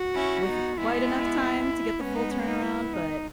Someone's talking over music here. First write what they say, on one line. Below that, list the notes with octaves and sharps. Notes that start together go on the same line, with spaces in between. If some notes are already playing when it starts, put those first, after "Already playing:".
with quite enough time to get the full turnaround, but
Already playing: F#4
C#4 E4
B3 D#4
G#3 B3 E4
G#3 B3 C#4
D#4
C#4
D#4
E4
D#4